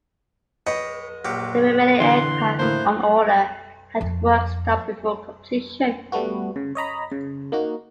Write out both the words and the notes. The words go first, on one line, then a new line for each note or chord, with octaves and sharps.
The remaining aircraft on order had work stopped before completion.
B4 C#5 D#5 G5
A#1 F#3 G4
D3 E3 C6
A2 A#3 C5
F2
G3 A3 B3 F#4
C#3
C#5 D#5 A#5 B5
C#3
A#3 D#4 F#4